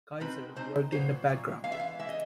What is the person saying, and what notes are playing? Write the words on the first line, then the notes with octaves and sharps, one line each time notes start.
Keiser worked in the background.
B2 G#3 C4 D#4 B4
B2 G#3 C4 D#4 C5
A#2 F#3 B3 C5
A#2 F#3
E3 G#3 B3 F5
E5
F5
E3 G#3 B3 E5
D#5